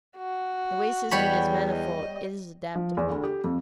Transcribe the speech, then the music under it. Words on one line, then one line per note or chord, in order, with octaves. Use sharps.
The wage system is manifold, it is adaptable.
F#4
E2 G3 C#5 B5
D#5
F3
E2
D2
G4
F2